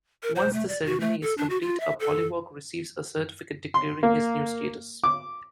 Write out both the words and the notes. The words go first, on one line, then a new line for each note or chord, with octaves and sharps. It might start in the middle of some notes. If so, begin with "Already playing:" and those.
Once the ceremony is complete, a Pollywog receives a certificate declaring his new status.
A#4
C5
A3
D5
F#4
A3
A4
D4
F#4
F4
E5
A4
C6
A#3
D6